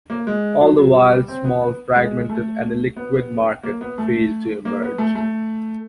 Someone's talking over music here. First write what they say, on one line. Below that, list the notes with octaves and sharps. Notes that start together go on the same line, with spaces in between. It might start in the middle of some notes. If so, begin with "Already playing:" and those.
All the while the small fragmented and illiquid market failed to emerge.
A#3
G#3
F#3
F#3
G3
C4
B3
B3
G#3
A3
B3
A#3
B3
A3
A#3
B3
A3
A3